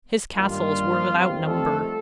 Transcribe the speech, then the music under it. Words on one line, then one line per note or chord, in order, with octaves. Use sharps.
His castles were without number.
G2 D#3 G3 A#3 D4 F4
F2 D#3 G3 C4
A3 A4